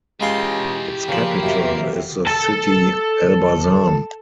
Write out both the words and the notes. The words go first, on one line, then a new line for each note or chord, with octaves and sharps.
Its capital is the city Elbasan.
C#2 E3 G#3 G4 F5 G5 C6
C#3 E3 F3 A#3 B5
F#2 C3
A4 A5